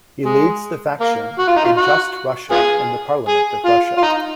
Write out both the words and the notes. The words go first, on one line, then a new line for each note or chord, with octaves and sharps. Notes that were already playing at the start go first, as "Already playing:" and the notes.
He leads the faction A Just Russia in the Parliament of Russia.
G#3
A#3
F#4
F4
D#4
F4
F#4
B3 F4 G#4
G#4
F4
F4
D#4